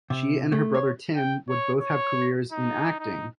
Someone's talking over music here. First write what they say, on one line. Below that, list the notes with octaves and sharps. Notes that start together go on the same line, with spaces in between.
She and her brother Tim would both have careers in acting.
C3
A3
C#5
G5
C#5
C#5
D#4
D#4